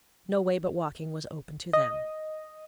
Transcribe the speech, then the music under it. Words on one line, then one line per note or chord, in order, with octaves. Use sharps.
No way but walking was open to them.
D#5